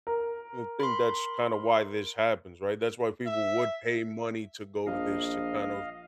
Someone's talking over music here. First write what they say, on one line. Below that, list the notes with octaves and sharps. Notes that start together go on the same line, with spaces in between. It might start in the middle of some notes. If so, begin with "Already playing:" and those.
I think that's kinda why this happens, right? That's why people would pay money to go to this, to kind of
A#4
B5 C6
E5
A#1 D#5 F5